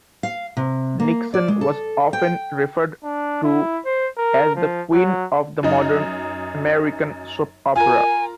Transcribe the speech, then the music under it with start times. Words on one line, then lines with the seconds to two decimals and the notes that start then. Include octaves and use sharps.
Nixon was often referred to as the "Queen" of the modern American soap opera.
0.23 F5
0.57 C3
1.00 A#3
1.34 D5
1.48 G#3
1.61 A4
2.13 G5
3.04 D4
3.44 E4
3.85 C5
4.17 A#4
4.56 F3
4.93 F#3
5.63 F#2 D#4 D#5
7.76 F4 A#4 G#5